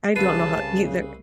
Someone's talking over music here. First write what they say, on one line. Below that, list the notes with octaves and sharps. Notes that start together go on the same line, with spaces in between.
I don't know how either.
C2 C#3 B4 A5 C7 D#7